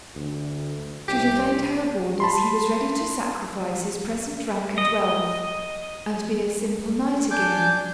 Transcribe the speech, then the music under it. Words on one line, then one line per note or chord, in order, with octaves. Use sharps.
To defend her borders he was ready to sacrifice his present rank and wealth, and be a simple knight again.
D2
C2 G4
A5 B5 C6
D#5
D4 G#5 D6 G6